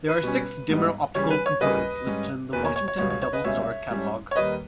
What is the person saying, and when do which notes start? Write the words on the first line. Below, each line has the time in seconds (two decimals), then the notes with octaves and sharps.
There are six dimmer optical components listed in the Washington Double Star Catalog.
0.08 B4
0.23 B2 G3 C#4
0.70 G#2 G3 B3 D#4
1.15 C#3 E3 G3 C#5
1.30 B4
1.46 C#5
1.61 D#2 C#3 G3 A#3 C#4 B4 D#5
2.07 G#2 G3 C#4
2.53 E2 B2 A#3 B4
2.65 C#5
2.76 C#5
2.88 C#5
2.98 C#2 B2 G3 B3 C#5
3.10 C#5
3.22 C#5
3.33 B4 D#5
3.44 C#2 B2 G3 C#4 C#5 E5
3.90 G#2 G3 C#4
4.31 C#5
4.36 D#2 D#3 G3 A#3 B4 D#5